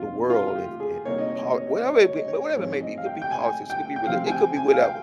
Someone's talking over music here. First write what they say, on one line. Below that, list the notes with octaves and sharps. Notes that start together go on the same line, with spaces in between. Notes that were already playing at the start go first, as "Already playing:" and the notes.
the world and and pol whatever it be, whatever it may be, it could be politics, it could be reli it could be whatever.
Already playing: F2 C3 D#3 A#3 F4
F4
F4
G4
G#4
C3 G3 A#3 D#4 C#5
D#5
C#5
D#5
C#5
D#5
C#5
D#5
C#5
D#5
C#5
G#2 F3 C4 C#5
D#5
F5
G5
G5
G#5
G5
G5
C3 F3 C4 F5
G#5
G5
G#5
F5
G5